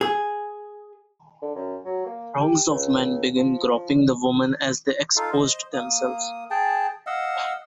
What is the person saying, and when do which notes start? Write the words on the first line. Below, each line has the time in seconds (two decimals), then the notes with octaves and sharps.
Throngs of men began groping the women as they exposed themselves.
0.01 G#4
1.42 D3
1.55 F#2
1.85 F#3
2.06 A#3
2.40 G4
2.70 C#2
3.36 F3
5.16 D#4 F4 A4 F5
5.32 C5 D#5
5.73 A#3 D#6
6.50 G#4 G5 A5
7.07 D#5 F5 F#5 E6